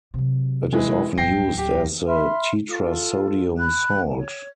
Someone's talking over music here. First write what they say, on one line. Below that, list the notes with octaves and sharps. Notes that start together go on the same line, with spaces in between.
It is often used as the tetrasodium salt.
C3 F#3
E3 G#3
D1 F#3 G5 A#6 C7
G4
E5 B5 C6 F6
F4 A4
B5 F#6
C#5